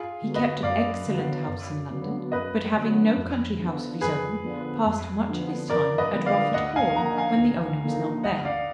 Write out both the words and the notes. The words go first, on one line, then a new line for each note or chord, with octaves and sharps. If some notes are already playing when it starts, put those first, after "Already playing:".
He kept an excellent house in London, but having no country house of his own passed much of his time at Rufford Hall when the owner was not there.
Already playing: F4 G#4
D3 F#3 B3
B4 D#5
F#2 D5 F5
D3 F#3 B3
F#2
D3 F#3 B3
F#2 B4 D#5
D3 F#3 B3
F2
D3 F3 B3
F2 G#4 B4
D3 F3 B3
F2
D3 F3 B3
F2 A#4 D5
B4 D#5
D3 F3 B3
D5 F5
D2 D#5 F#5
F5 G#5
D3 F3 A#3 D#4 F#5 A#5
F5 G#5
D2
D3 F3 A#3 D#4
D2 D#5 F#5
D5 F5